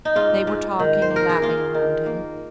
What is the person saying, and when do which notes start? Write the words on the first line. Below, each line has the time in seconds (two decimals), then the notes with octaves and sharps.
They were talking, laughing around him.
0.05 D#4
0.16 G#2 F4
0.47 G#2
0.79 D#3
1.02 C5
1.10 A#3
1.16 A#4
1.29 G#4
1.42 A#3 F4
1.74 D#3
2.06 A#3